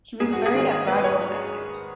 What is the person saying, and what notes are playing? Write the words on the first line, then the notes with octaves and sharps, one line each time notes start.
He was buried at Bradwell in Essex.
G#2 G#4
F#4
G#4
D#3
G#2 B4
C#5